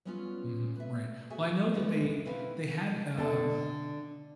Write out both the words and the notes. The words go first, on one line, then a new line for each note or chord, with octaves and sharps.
Mhm, right, well, I know that they they had, um
F#3 G3 B3 C#4 D#4 F4
B4 E5
F#4 G#4 E5 G#5
D3 E3 G3 G#3 B3
B2 C4 E4 B4 E5 F5
C#5
D3 D5 G5 A5